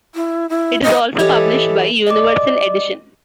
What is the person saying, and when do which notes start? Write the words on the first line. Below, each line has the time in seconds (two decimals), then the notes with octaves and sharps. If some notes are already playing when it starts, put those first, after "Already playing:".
It is also published by Universal Edition.
0.15 E4
0.49 E4
0.83 D#5
1.19 E3 G4 A4 C#5 D#5
2.07 G3 G#3 D5 D#5 D6